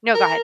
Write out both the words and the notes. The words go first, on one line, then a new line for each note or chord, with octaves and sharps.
No, go ahead.
A#4